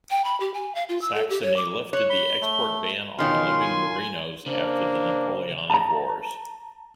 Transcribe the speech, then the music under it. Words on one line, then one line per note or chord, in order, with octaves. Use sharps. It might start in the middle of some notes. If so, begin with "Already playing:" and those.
Saxony lifted the export ban on living Merinos after the Napoleonic wars.
G5
B5
G4
G#5
F5
F4
E6
A4
G4
C#5
D6
C#5 F#6
B5 G7
A3
B2 D#3 C#4 F4 C6 F6
G#5
C#3 A#3 D4 C5
A5 A#5